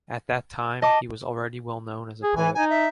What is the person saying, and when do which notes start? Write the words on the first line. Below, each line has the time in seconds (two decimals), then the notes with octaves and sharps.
At that time he was already well known as a poet.
0.82 D#5 A5 D6
2.23 G#4
2.36 E3 G#5
2.55 D#4 G#5
2.70 E5